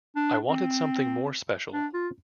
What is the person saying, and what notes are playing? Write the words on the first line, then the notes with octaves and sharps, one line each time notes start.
I wanted something more special.
D4
C4
D4
F4